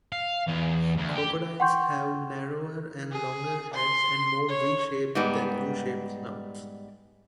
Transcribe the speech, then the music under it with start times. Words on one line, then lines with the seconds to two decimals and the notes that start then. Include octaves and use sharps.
Crocodiles have narrower and longer heads, and more V-shaped than U-shaped snouts.
0.12 F5
0.47 E2
0.97 D2
1.16 G4
1.60 F#5 G5 C6 C#6 G6
3.12 G#4
3.74 C6
4.48 C#5
5.15 G#2 G3 B3